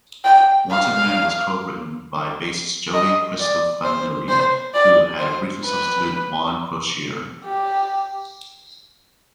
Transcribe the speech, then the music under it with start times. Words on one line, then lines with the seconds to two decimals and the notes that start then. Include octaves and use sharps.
"Wanted Man" was co-written by bassist Joey Cristofanilli, who had briefly substituted Juan Croucier.
0.24 G5
0.70 F5
2.94 D#5
3.40 D5
3.84 C5
4.29 C5
4.74 D5
5.19 C5
5.65 B4
7.45 G4